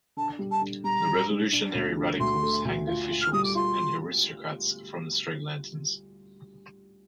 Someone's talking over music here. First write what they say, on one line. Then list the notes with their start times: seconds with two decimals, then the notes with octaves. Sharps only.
The revolutionary radicals hanged officials and aristocrats from street lanterns.
0.17 D3 A5
0.39 G3
0.51 A5
0.61 D3
0.84 G3 A#5
1.07 G3
1.30 D3
1.52 D4
1.74 D2
1.97 D3
2.20 D2 C6
2.43 A3
2.65 D2
2.87 F4
3.11 F4
3.21 F6
3.33 G3 D#6
3.44 D6
3.55 F4 C6